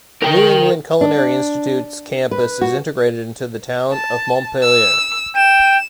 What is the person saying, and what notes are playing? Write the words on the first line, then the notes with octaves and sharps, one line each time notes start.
New England Culinary Institute's campus is integrated into the town of Montpelier.
A#4 G5
D4
B4
F#4
A5
E6
G5 E7